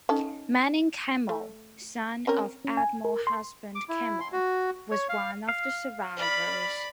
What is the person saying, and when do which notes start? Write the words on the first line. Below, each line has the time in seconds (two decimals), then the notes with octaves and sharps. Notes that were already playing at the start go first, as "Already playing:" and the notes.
Manning Kimmel, son of Admiral Husband Kimmel, was one of the survivors.
0.09 C#4 D#4 A4
1.29 A3
2.27 C4 C#4 A#4
2.65 C#4
2.77 G#5
3.05 A#4
3.27 C6
3.75 D6
3.89 E4
4.20 C6
4.32 F#4
4.91 C#5
5.09 F5
5.49 F5
6.17 D5 B5